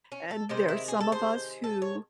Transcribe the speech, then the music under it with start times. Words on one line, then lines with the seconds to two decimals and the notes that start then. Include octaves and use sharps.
and there are some of us who
0.12 C#4
0.31 A4
0.49 C3 D#3 G#3 C5
0.68 E4
0.88 G#4
1.01 A4
1.12 C5
1.64 A4
1.82 C#5